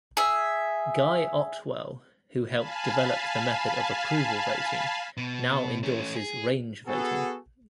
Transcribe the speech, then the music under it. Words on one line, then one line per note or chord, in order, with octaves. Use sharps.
Guy Ottewell, who helped develop the method of approval voting, now endorses range voting.
G#4 E5
F5 G#5 A5 B5
B2
A3 C#4
G#4
B3 F#4 G#4 A4